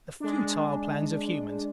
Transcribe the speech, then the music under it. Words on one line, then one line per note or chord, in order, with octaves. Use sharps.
The futile plans of humans!
G#3 D4